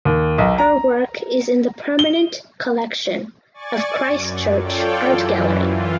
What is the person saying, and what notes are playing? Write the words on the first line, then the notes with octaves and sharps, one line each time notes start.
Her work is in the permanent collection of Christchurch Art Gallery.
D#2
B1
A#5
G7
D5 G#5 C#6 A6
F#2
F4 A4 C#5 D5 G5
F#2 E3
E3 F4